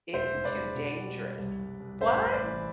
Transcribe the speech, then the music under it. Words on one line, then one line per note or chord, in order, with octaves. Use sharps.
It's too dangerous." What?
E1 C5 E5
E1
B4 D5
E1
B2
G3
G3
C2
C2
C2
A1 C5 E5
A1
B4 D5
E3